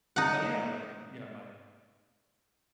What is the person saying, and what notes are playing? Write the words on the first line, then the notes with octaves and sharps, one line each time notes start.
Uh, yeah, like, yeah, my,
D#4 F#5